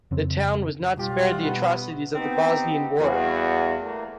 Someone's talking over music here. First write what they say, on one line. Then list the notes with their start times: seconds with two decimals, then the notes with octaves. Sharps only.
The town was not spared the atrocities of the Bosnian war.
0.11 F2 C#3 C4
0.97 B1 G3 F4 G4
1.19 A3 C4 F#5
1.43 B2 B3 D#4
2.14 B3 C4 D#4 G4
2.99 E2 G3 F#4 F5
3.78 A3 A#3